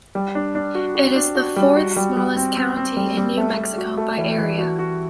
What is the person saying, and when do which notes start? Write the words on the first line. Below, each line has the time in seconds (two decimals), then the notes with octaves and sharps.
It is the fourth-smallest county in New Mexico by area.
0.15 G3
0.35 D4
0.55 D4
0.75 F#4
0.95 F#4
1.16 D4
1.35 F#4
1.56 G3
1.76 F#4
1.97 G3
2.17 G3
2.37 C4
2.57 C4
2.77 C4
2.97 G3
3.17 G3
3.37 A3
3.57 A3
3.78 F#4
3.97 A3
4.18 E3
4.38 E3
4.58 F#4
4.79 F#4